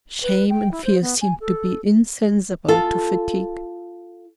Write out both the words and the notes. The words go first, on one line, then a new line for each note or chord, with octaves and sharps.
Shame and fear seemed to be insensible to fatigue.
B4
G5
E4
C5
B3
G#5
A4
F4 A4